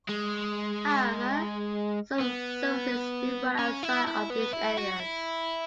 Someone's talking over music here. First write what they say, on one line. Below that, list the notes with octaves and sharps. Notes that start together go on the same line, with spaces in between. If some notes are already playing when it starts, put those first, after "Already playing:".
However, some services do run outside of these areas.
G#3
B3
C#4
E4
E4
B3
E4
F#4
E4